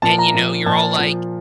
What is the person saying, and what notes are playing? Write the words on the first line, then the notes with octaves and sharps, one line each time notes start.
and, you know, you're all, like
A#2 F3 A5
A#5
A#2 F3
A#2 F3 A5
A#2 F3